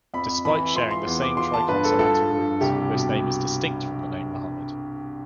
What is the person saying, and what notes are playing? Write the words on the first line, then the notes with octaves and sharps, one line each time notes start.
Despite sharing the same triconsonantal root, this name is distinct from the name "Muhammad".
F2 B5
E3 B5
F3 C6
C6
E2
D6
F3 C6
A5
G2 B4
A4
F3 A4
G2
C2 G4
B2